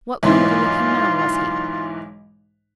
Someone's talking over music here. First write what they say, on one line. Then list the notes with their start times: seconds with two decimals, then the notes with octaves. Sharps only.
"What kind of a looking man was he?"
0.23 B1 G#2 E3 F4